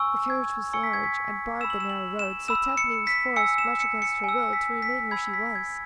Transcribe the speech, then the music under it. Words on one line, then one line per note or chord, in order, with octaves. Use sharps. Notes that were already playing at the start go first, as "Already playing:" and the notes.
The carriage was large and barred the narrow road, so Tephany was forced, much against her will, to remain where she was.
Already playing: G#5 C#6 E6
G#6
G#5 C#6 E6 C#7
B6
G#6
B6
B5 E6 E7
F#7
E7
F#7
E7
B5 E6 E7
C#7
B6
G#5 E6 C#7
E7
C#7
C#7
G#5 E6
B6
B6
B5 E6 G#6
B6
G#6